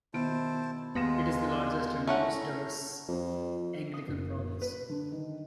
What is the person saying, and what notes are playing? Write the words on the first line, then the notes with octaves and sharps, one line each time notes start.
It is the largest and the most diverse Anglican province.
B2 D#3 E4 C5 A5 D7
D#2 G#3 B3 F4 A#6 E7
A3 C#4 E4 F#5 A#5
F2
D#6
F#1
B4
D3
D#3